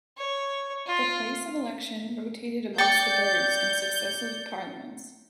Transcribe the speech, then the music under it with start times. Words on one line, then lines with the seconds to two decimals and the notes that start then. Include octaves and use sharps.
The place of election rotated amongst the burghs in successive Parliaments.
0.17 C#5
0.86 F4
2.78 D5 G5 G6 A6 C#7